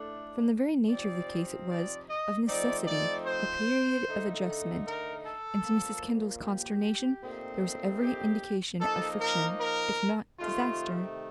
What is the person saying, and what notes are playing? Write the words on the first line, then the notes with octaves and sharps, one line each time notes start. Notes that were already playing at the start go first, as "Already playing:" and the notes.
From the very nature of the case it was, of necessity, a period of adjustment; and to Mrs. Kendall's consternation there was every indication of friction, if not disaster.
Already playing: A2 A3 D4
C3 F3 C4 D#4 D5
D5
D#5
F3 A3 C4 D#4 D5
D5
C5
D3 A3 D#4
A#4
A4
A#2 F3 A#3
G4
A#2 A3 C4 D#4
G4
F3 A#3 D#4 A4
A#4
A#4
C3 D#3 A3 F4